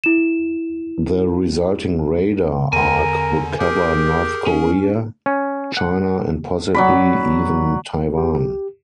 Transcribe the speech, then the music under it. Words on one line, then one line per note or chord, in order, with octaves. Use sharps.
The resulting radar arc would cover North Korea, China and possibly even Taiwan.
E4 E7
E2 D3 A#4 G#5
G4 G#4 A#4
C#4
C#4
F#5
F#3 D5 B5
G4